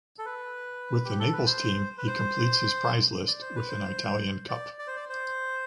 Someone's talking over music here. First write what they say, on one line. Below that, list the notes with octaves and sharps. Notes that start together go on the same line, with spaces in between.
With the Naples team, he completes his prize list with an Italian Cup.
A4
B4
G4
A4
B4
C5
B4
C5
D5
C5
B4
C5
D5
D5
C5
D5
C5